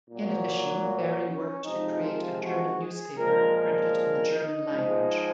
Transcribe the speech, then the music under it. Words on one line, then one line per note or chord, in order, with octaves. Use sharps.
In addition, Barry worked to create a German newspaper printed in the German language.
A#2 F#3
C#4
C3 F3 G#3 D#4
F4
F#4
G#4
A#2 F3 G#3 A#4
A#4
D#4
G#2 F3 G#3